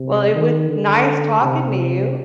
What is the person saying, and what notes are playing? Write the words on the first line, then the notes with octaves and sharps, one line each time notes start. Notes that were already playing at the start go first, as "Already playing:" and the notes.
Well, it was nice talking to you.
Already playing: C3
D#3
D3
C3